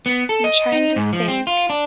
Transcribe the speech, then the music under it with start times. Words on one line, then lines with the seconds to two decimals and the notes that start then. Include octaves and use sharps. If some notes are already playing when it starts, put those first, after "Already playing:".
I'm trying to think,
0.06 B3
0.29 A4
0.44 D#5
0.72 D#4
0.96 G#2
1.13 F3
1.28 C4
1.47 F4
1.70 D4